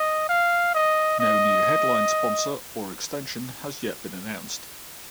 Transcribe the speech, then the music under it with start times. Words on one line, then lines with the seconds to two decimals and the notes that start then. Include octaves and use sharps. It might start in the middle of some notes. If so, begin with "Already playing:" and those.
No new headline sponsor or extension has yet been announced.
Already playing: D#5
0.29 F5
0.75 D#5
1.20 D#5